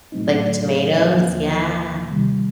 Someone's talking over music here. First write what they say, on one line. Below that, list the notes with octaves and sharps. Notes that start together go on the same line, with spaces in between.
like the tomatoes. Yeah.
A2 F#3 A3 C4 D#4
D#2 D3 F3 A#3
C3 D#3 G3